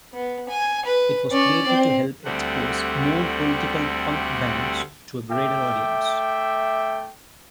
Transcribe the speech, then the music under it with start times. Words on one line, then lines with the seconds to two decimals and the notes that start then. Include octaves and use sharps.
It was created to help expose more political punk bands to a greater audience.
0.14 B3
0.49 G#5
0.86 B4
1.31 C#4 D5
1.67 C4
2.25 D2 G3 A3 C4 F#5
5.31 A3 E5 G5 D6